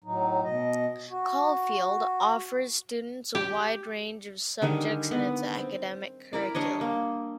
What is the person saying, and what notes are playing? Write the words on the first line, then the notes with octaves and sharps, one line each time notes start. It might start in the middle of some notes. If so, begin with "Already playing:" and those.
Caulfield offers students a wide range of subjects in its academic curriculum.
A2 F#3 D#4
B2 D#5
F#4
G4
D3 D#3 G3 G#3
B3
C4
E4 A#4 D5
G3 D4 C#5 D#5
A#3